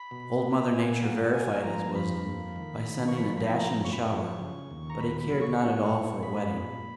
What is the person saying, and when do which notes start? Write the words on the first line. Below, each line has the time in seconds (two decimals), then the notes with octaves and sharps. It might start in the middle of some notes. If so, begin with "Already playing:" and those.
Old Mother Nature verified his wisdom by sending a dashing shower, but he cared not at all for a wetting.
Already playing: B5
0.11 B2
0.42 B3
0.72 A#2 G#5
1.02 A#3 F#5
1.33 A#3 G#5
1.64 F3 A#5
1.95 F2 B5
2.25 A#3
2.56 D#3
2.87 A#3
3.08 C#6
3.17 F3 B5
3.37 B5
3.48 F3
3.57 A#5
3.78 F#2
3.85 C#6
3.93 B5
3.99 C#6
4.08 F3
4.39 C#3
4.71 D#2
4.90 A#5
5.00 D#2 B5
5.21 B5
5.31 F#3
5.41 C#6
5.61 A#2
5.92 A#2
6.22 G#3 B5
6.54 A#2